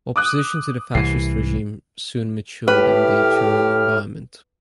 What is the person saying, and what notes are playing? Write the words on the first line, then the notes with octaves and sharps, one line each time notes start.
Opposition to the fascist regime soon matured in the Turin environment.
D6 D#6 F#6
C2 E3 C7
A2 G4 B4 F6